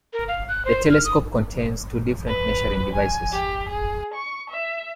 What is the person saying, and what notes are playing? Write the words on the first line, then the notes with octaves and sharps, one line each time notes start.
The telescope contains two different measuring devices.
A#4
F5
F#6
C5
F6
D#6
B4
G#5
G4
G#4
C#6
E5